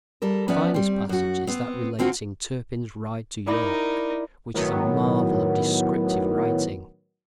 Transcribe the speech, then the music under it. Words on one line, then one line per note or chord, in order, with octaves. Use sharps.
The finest passage is that relating Turpin's ride to York, which is a marvel of descriptive writing.
G3 A4 A#4
F3 B3 C#4 B4 D5 E5
G3 C4
F#2 F#4
B3 C4
D3 C4 F4 F#4
D#4 E4 A#4 D5 B5
A2 D#3 F#3 B3